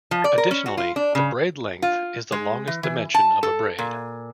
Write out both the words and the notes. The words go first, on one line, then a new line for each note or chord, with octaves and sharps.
Additionally, the "braid length" is the longest dimension of a braid.
F3
D5
A#4
C#4
F#4
F4
D4
C#3
F4
G#3
E3
E3
A5
A4
A#2